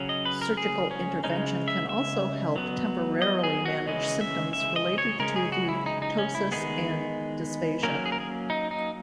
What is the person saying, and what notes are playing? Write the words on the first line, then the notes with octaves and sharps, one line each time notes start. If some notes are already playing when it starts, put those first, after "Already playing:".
Surgical intervention can also help temporarily manage symptoms related to the ptosis and dysphagia.
Already playing: C#3 F#3 C#4
D#5
B4
A#4
G#4
C#4
C#3 G#3 C#4 D#4
E5
E5
F#3 B3
D#5
G#4
F#4
C#3 E3 G#3 C#4 D#5
E5
E5
D#5
C#5
C#3 G#3 C#4 A#4
G#4
F#4
E4
D#4
D#4
C#4
E4
D#3 G#3 B3 G#4
F#3 A#3 C#4 A#4
G#4
A#4
G#4
D#4
D#4